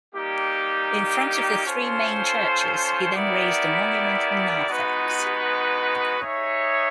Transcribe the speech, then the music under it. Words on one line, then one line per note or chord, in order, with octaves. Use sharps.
In front of the three main churches, he then raised a monumental narthex.
G3 A#3 D#4 G4
C#4 F4 A4 C5
B3 E4 G4 A#4 D5
G#3 B3 D#4 F#4 B4
D#4 G#4 C#5 E5